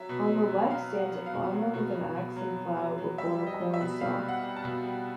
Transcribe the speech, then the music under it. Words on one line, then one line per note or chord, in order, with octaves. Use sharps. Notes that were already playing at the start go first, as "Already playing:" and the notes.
On the left stands a farmer with an ax and plow before a cornstalk.
Already playing: F#3 E5
B2
F#3
F#3
F#3 F5
F#3
F#5
F#3
F5
B2
F#3
B2
B2
B2
F#3
F#3
F#3
F#3
G3 E5
G3
D#5
G3
E5
B2
G3 F5
B2
F#5
G3
A5
B2
G3